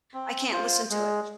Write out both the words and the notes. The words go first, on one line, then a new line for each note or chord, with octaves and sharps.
I can't listen to it.
C4
F4 C5
G#3